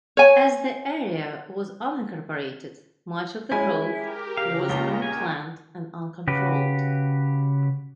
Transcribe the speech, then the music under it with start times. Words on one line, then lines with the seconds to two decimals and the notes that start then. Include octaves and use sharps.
As the area was unincorporated much of the growth was unplanned and uncontrolled.
0.17 C#5 G#5
3.52 G#3 C#4 E4 G#5
3.92 G4 A#4
4.37 C#3 F5 A#5
4.69 C#2 A#2 F4
5.02 G#3 G5 G#5
6.27 C#3 F#4 G4 B4